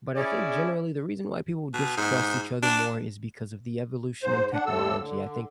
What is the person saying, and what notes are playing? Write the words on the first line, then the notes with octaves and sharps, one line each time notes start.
But I think, generally, the reason why people distrust each other more is because of the evolution in technology, I think
C#4 E4 G#4 D5
B2
G#2
D4
G#2 C5
D4 F#5
D#2 A2 C3 A4 E6
D3